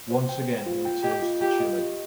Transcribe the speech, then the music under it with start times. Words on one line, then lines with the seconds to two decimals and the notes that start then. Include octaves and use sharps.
Once again he returns to Chile.
0.11 C5
0.29 G5
0.48 C5
0.66 F4
0.85 G5
1.03 G4 D#5
1.22 F4
1.41 F4 G4
1.60 D#5
1.78 G4